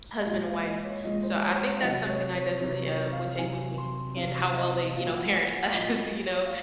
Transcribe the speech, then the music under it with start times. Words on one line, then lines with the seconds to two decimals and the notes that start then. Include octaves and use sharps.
husband and wife. So, I think that's something I definitely, uh, would take with me, and how well they, you know, parent us, you know,
0.15 F5
0.25 A#2 G#3 D#5
0.45 F5
0.64 D#5
0.84 C#5
1.04 A#2 G#3 D#5
1.23 C5
1.30 C#5
1.49 C5
1.55 C#5
1.76 F5
1.82 C3 F#3 D#5
2.08 C#5
2.34 C#5
2.60 C3 F#3 C#5
2.87 C#5
3.12 F5
3.38 C3 F#3 G#5
3.78 C6
4.17 C3 F5
4.22 F#3
4.52 F5
4.56 D#5
4.95 A#2 F#3 F5
5.15 F#5
5.35 G#5
5.54 F#5
5.68 F5
5.74 A#2 F#3 D#5
6.26 C#5
6.45 F5